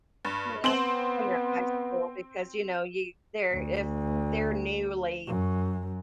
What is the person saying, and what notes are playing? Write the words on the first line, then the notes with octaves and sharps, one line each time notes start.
Yeah, s when you're in high school, because, you know, you they're if they're newly
G2
B3 C4 C5 F#7
D2
F#2